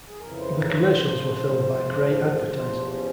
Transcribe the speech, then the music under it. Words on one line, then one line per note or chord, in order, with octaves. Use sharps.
The commercials were filmed by Grey Advertising.
G#4
F2 C#3 E3 A#4
C5
A#4
C#5
C5
G#2 F3
G#2 F3
E2 C3 F3 C5
C#4